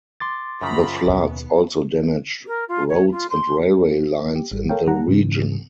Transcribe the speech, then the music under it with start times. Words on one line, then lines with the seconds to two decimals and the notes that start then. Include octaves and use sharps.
The floods also damaged roads and railway lines in the region.
0.20 C6 D6 A6
0.61 F#2 C#3 F3 A#5 B5
1.06 D#2 B2 B3
2.47 A#4
2.69 F4
2.89 C#5
3.11 F4
3.30 C6
4.36 G4
4.52 G#1 G3
4.69 A4 A#4 C#5 F5 G5
4.87 D#3 G3 F#5 A#5
5.08 G#2 C#3 E3